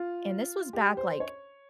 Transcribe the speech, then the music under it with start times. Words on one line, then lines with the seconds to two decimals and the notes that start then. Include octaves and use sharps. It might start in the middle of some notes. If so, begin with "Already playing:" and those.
and this was back, like,
Already playing: F4
0.73 G4
0.97 C5
1.20 C#5